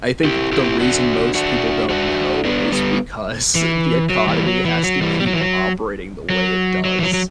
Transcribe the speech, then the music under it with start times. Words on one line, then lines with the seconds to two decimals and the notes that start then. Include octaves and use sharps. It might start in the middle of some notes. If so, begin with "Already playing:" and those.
I think the reason most people don't know is because the economy has to keep operating the way it does,
0.25 E4 G4
0.52 E4 G4
0.80 D4 F#4
1.35 D4 F#4
1.90 D4 F#4
2.45 B3 D4
2.72 G3 B3
3.55 E3
4.10 F#3
4.28 E3 G3
4.46 F#3
4.65 E3
4.83 F#3
5.01 E3 G3
5.20 G3
5.27 F#3
5.33 E3
5.41 F#3
6.30 F#3
6.85 F#3
6.99 E3
7.03 F#3
7.14 F#3